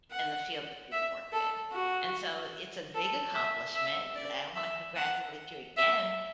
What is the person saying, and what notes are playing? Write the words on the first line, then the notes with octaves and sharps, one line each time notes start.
in the field that they've worked in. And so it's a big accomplishment and I want to congratulate you again,
F#5
E5
A4
F#4
A4
E5
E5
D5
E5
F#5
E5